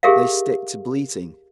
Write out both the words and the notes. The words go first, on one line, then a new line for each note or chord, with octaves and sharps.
They stick to bleating.
G4 G#4 A#4 E5 F5